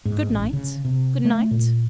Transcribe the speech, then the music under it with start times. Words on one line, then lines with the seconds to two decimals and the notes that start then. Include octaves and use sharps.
Good-night. Good-night.
0.05 G#2
0.29 A1
0.53 C#3
0.85 C3
1.25 A3
1.51 A#2